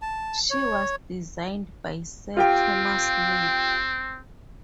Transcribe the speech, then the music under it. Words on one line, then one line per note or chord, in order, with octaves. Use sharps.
She was designed by Sir Thomas Slade.
A5
C#5
C4 F4 G4 G5